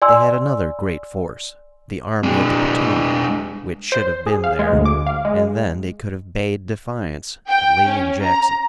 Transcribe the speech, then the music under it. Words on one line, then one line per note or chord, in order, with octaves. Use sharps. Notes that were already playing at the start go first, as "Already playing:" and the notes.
They had another great force, the Army of the Potomac, which should have been there, and then they could have bade defiance to Lee and Jackson.
D5 G#5 C6 E6
G#3 D4
C5
G#4
F5
G#3
D2
D6
F5
G#3
G5
C#4
A#5